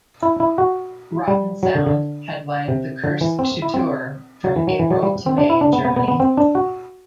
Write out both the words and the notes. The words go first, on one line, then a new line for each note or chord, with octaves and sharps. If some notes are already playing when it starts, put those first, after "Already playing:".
Rotten Sound headlined the "Cursed to Tour" from April to May in Germany.
E4
E4
F#4
G3
F#3
D3
D3
C3
D3
E3
C4
E4
C4
F#3
E3
F#3
E3
F#3
G3
C4
D4
E4
D4
B3
B3
B3
B3
C4
D4
F#4